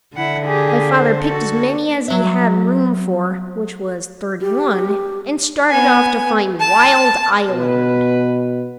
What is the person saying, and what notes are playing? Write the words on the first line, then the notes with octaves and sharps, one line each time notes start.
My father picked as many as he had room for, which was thirty-one, and started off to find Wild Island.
D3 E4 F#5
G4 G#4
C5
F#4 A4
F#3 E5
G4
B3 G#5
A5
B2 B4